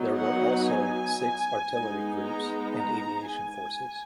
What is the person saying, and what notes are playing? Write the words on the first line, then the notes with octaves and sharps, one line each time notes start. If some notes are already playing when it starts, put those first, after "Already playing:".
There were also six artillery groups, and aviation forces.
Already playing: F#3 B3 D#4
F#5
G#5
G#3 B3 D#4
A#5
A#5
G#5